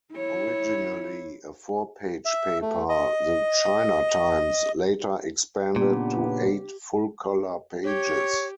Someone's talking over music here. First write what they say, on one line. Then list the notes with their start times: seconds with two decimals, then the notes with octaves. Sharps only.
Originally a four-page paper, the "China Times" later expanded to eight full-colour pages.
0.13 E4 C#5
2.25 E5
2.62 A3
2.89 D#5
5.76 A#2 C#3 B3 D4 G4
7.84 G4 C#5